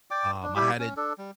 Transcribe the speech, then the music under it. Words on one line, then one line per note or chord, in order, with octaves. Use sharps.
um, I had it
D5 G5 D6
D4
G3 E4 G4 B5
C#4
D4 A4
G3